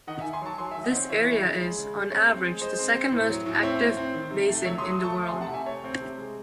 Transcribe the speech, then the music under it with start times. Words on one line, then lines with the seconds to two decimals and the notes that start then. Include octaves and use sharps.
This area is, on average, the second-most active basin in the world.
0.07 D#3 D#5 F#5
0.20 E5 G#5
0.24 D#3
0.33 G#5 C6
0.42 F#3 A5 C#6
0.58 F#3 G#5 C6
0.71 E5 G#5
0.76 D#3
0.84 D#5 F#5
0.92 C4 C#5
1.09 E3 C#5 E5
1.27 C#3
1.44 C#3
1.60 G#3
1.78 C#3
1.94 C#3
2.11 C4 C#5
2.28 C4
2.44 G#3
2.61 G#3 C5 D#5
2.79 C4
2.95 C4
3.12 A2
3.30 F#3
3.46 A2
3.63 C4 C#5 E5
3.80 A2
3.97 C4
4.14 D#3
4.31 C3
4.48 A3
4.65 F#3 C#5 E5
4.78 C6 D#6
4.82 F#3
4.90 C6 D#6
4.99 A3 A5 C#6
5.16 A3
5.28 G#5 C6
5.33 C3
5.41 F#5 A5
5.49 C3 E5 G#5
5.66 A3 C#5
5.84 C4
6.00 C3
6.18 G#3